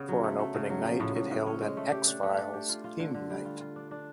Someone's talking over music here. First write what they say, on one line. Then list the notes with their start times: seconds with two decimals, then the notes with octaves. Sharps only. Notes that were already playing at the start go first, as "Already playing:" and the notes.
For an opening night it held an "X-Files" theme night.
Already playing: C#3 B3
0.08 F#3
0.24 A3
0.39 A3
0.54 C#3
0.70 F#3
0.85 F3
1.00 A2
1.15 A2
1.31 A2
1.46 C#4
1.61 G#3
1.77 A3
1.92 G4
2.07 D4
2.23 A3
2.38 D4
2.53 G4
2.69 F4
2.84 F4
2.99 D3
3.14 D3
3.30 G3
3.45 F4
3.61 F4
3.76 D4
3.91 D4